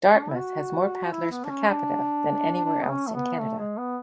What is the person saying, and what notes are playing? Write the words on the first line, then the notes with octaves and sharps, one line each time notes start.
Dartmouth has more paddlers per capita than anywhere else in Canada.
C#4
D4
E4
F#4
F#4
E4
B3
D4
C#4
D4
D4
B3
C#4
A3
B3
A3
G#3
B3